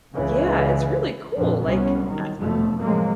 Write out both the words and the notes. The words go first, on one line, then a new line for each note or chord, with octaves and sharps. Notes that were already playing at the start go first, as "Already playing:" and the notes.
yeah, it's really cool, like, I
C#2 C#3 E3
F2 A#2 D3
C2 B3 C#4
D#3 F#3
F1 F#2 B2 F3 A3
A2 C3 F3 F#3 G#3 A#3